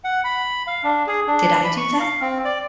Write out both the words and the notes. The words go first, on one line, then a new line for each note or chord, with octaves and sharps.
Did I do that?
F#5
B5
F5
D4
G#4
D4
B5
C#6
F5
C4
D5